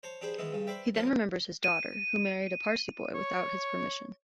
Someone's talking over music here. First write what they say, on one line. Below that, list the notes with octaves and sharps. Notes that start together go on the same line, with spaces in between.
He then remembers his daughter, who married a Parsi boy without his permission.
C5 C#5 A5
D4 G4 G#4 B4 C5
D#3 E3 G#3 B3
G2 C#3
B4 C5 D5 E5 G5
A1 F3 C#4 A#4 A5
D#7
C#5